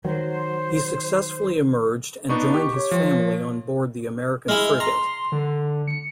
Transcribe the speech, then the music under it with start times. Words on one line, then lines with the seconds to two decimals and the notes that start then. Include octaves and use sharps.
He successfully emerged and joined his family on board the American frigate.
0.05 D#3 F#3 C5
2.29 B3 D4 D#4 C#6
2.54 G4
2.75 C#5
2.91 F3
4.48 G#3 E4 F6
4.80 A#5 C6
5.32 D3
5.88 C#7